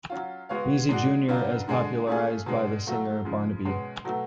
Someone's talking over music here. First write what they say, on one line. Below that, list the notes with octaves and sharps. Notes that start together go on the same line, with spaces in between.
Meazie Junior, as popularized by the singer Barnabee.
F#3 C#4 F4
G#3 B3 F#4 C#5 F5
G#3 D4 F#4
C#3 F#3 B3 D4 F4
D3 G#3 D4 G#4
A3 C#4 F4 G#4
B2 G#3 D4
F#3 A3 F4
C#3 F3 G#3
B2 G#3 C#4
B2 F#3 A3